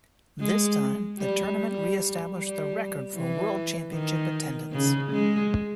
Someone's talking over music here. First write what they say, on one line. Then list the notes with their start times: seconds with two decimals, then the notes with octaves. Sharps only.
This time, the tournament re-established the record for World Championship attendance.
0.40 G#3
1.18 G3
1.58 G3
2.37 G3
3.16 E3
3.93 D#3
4.73 C#3
5.12 G#3